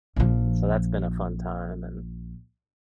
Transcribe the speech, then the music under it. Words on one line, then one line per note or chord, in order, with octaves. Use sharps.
And so that's been a fun time, and,
A#1 F3